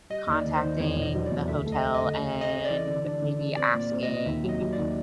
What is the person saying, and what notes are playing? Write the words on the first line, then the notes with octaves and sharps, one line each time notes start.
contacting the hotel and maybe asking,
G3 D#5
D#2
D5
D#2
C5
D#3
E2 C#5
B2
D#5
F#3
D5
E2
D2 E5
A3
D#5
A3
D#5
D2
A3
C4
D#5
C4
D5
E3
D3
D4
D3
D4
C4 D5
A#2
D5
C4
D#5
A#2
D#2 E5
F#3
D#5
F#3
D#2 D5